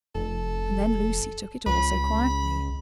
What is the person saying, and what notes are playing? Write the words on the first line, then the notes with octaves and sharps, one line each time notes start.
And then Lucy took it all so quietly.
F1 A4
C#2 B5